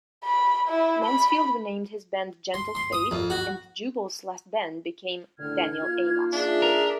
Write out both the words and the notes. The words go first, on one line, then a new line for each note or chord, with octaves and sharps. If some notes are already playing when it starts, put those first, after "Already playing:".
Mansfield renamed his band "Gentle Faith", and Jubal's Last Band became Daniel Amos.
B5
E4
B5
C6
C6
D#6
F2
F#4
A2 D3 F6 G#6
A#3 D#4 F4
D4 G#4 E5
A#4